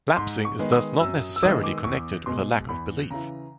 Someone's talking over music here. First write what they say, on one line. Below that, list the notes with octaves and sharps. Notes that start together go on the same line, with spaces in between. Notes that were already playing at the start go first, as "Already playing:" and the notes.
Lapsing is thus not necessarily connected with a lack of belief.
G#2 C6
C#6
D#3 G#3 B3
D#6
F#2 E6
E6
D#3 G#3 B3 D#6
D6
E2 C#6
B2 G#3 C6
E2 B5
C#3 E3 A#5